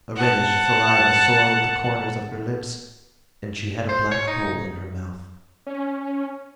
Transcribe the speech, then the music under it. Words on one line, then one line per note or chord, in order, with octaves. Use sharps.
A reddish saliva soiled the corners of her lips, and she had a black hole in her mouth.
F#5 A5
C5
C#5
D#4
C#4